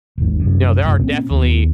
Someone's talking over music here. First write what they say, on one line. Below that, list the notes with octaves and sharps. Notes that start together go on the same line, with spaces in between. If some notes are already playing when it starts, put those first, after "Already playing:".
you know, there are definitely
D#1 G#1 G#2
C2 F#2
C2 F#2 A2 C#3
A#2 C4 C#4
D#2 B3